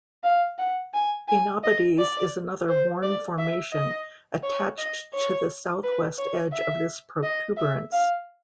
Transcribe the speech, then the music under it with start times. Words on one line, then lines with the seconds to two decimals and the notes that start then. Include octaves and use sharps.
Oenopides is another worn formation attached to the southwest edge of this protuberance.
0.23 F5
0.58 F#5
0.93 G#5
1.28 G#5
1.63 D#5
1.98 D5
2.68 C5
3.02 D5
3.38 E5
3.73 D#5
4.43 C#5
4.78 D#5
5.13 C#5
5.83 B4
6.18 C#5
6.53 E5
7.23 D#5
7.57 E5
7.92 F5